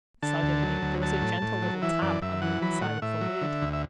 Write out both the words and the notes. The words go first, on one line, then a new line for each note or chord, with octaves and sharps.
Suddenly there was a gentle little tap on the inside of the lid.
D3 A5
D2
F#3
D2
F#3 A5
A2
A2
F#3
E3 E5
F#2 D5
F#2 E5
E3 F#5
F#3 B5
A2 F#5
A2 E5
F#3
D3
D2
E5